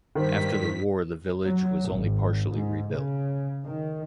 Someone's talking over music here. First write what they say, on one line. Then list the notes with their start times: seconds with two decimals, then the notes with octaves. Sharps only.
After the war, the village was only partially rebuilt.
0.15 G2 D#3 C5 B6
1.45 F#3
1.93 G#1
2.49 G#2
2.93 C#3
3.64 D#3